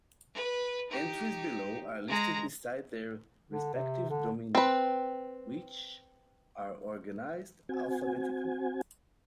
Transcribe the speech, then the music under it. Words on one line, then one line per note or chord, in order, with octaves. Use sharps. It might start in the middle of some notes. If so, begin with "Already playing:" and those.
Entries below are listed beside their respective dominions, which are organised alphabetically.
B4
D#4 G4
G#3 A#5
D3
C3
D3
C4 B4
C4 F#4 G#5